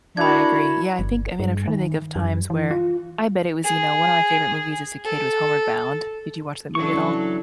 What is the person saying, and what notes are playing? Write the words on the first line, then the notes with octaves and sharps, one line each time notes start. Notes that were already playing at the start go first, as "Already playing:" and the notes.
No, I agree. Yeah, I think I mean, I'm trying to think of times where I bet it was You know, one of my favorite movies as a kid was Homeward Bound. Did you watch that movie at all?
D4 E4 F#4 A#4 B5 G#6
G1
G2
D#3
F#2
E3
F4
G#4
A4
C#3 E3 F#3 D4 A4 C#6